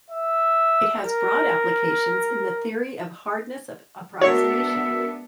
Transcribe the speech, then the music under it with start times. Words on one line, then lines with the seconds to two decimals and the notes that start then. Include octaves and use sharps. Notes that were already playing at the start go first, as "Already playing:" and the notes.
It has broad applications in the theory of hardness of approximation.
0.10 E5
1.04 A#4
4.21 G#3 B3 D4 F#4 A#4 C#5 E5